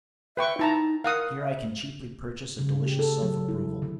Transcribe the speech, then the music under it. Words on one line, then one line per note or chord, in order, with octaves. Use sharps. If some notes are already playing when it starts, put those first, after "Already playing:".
Here I can cheaply purchase a delicious self-approval.
B4 E5 G5 C#6
D#4 E4 A5 A#5
A#4 F5 F#5 D#6
E5
C#3
G4
A4
F#3
E4
D3